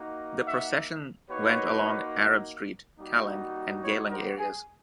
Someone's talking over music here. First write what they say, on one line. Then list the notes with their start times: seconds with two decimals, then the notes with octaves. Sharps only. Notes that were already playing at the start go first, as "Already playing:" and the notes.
The procession went along Arab Street, Kallang and Geylang areas.
Already playing: A#3 D#4 F#4
0.45 E5 F#5
1.29 A#3 D#4 F#4 B4 C#5
2.98 G3 A#3 D#4 F#4
3.82 B4 C#5
4.10 A#4 C5
4.38 G#4